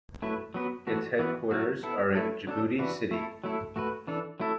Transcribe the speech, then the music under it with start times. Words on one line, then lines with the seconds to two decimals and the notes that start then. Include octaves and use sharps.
Its headquarters are in Djibouti City.
0.22 F#3 A3 E4 B4
0.54 F#3 B3 F#4 B4
0.87 E3 A3 F#4
1.19 E3 B3 F#4 B4
1.51 F#3 A3 F#4
1.83 B3 E4 A4
2.15 A3 E4 A4
2.47 F#3 D4 A4
2.79 E3 D4 F#4 B4
3.11 A3 E4 A4
3.44 F#3 A3 E4 A4
3.76 A3 F#4 B4
4.07 E3 D4 A4
4.40 F#3 A3 E4 A4